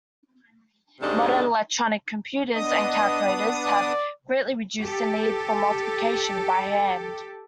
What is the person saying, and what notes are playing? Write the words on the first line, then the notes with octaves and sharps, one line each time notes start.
Modern electronic computers and calculators have greatly reduced the need for multiplication by hand.
D#2 G#2 C3 A3 D4 D#5
B3 D4 D#5 D#6
D5
G4 A4